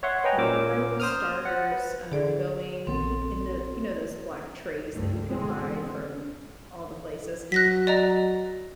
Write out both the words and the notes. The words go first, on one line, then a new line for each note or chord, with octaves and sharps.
and I got my little starters, uh, going in the, you know those black trays that you can buy from all the places
C#5 E5 F#5 C6
B4 C#5 D#5 G5 G#5 A#5
A#2 C#4 A#4 C5 D6 E6
C5 D#6 F6
F#5
B4
D3 G#4 D5
A#1 D#3 B3 C4 A4
C#2 G2 A3
B2 D3 E3 G#3 C4
F#3 F#6 A#6 B6
D5 D#5 A#5